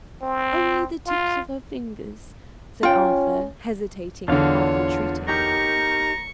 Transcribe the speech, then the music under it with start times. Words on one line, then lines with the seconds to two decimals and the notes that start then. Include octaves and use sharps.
Only the tips of her fingers,' said Arthur, hesitating and half retreating.
0.22 C4
1.06 F4
2.83 C#4 F4 G5
4.28 E2 D3 D4 F4 C#5 F5
5.28 D#4 G4 A#4 A#5 C#6